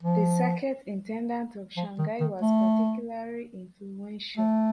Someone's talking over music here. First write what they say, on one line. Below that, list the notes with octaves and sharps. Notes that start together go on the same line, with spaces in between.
The circuit intendant of Shanghai was particularly influential.
F3
F3
D#3
D#3
A3
A3